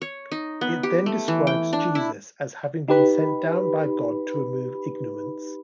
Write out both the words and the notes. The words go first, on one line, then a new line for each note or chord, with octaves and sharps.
It then describes Jesus as having been sent down by God to remove ignorance.
C#5
D#4
B3
G4
A3
E3
G5
D4
E4
D#4 G4 B4 B5